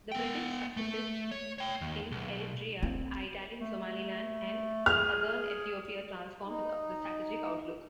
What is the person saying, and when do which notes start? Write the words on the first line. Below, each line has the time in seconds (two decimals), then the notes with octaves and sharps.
The British successes in Eritrea, Italian Somaliland and Southern Ethiopia, transformed the strategic outlook.
0.12 B3 G5
0.77 A3
1.31 C#5
1.58 C#5 G5
1.81 D#2
2.11 B1
2.83 C4
3.61 A3
4.86 G#4 F6
6.46 D#4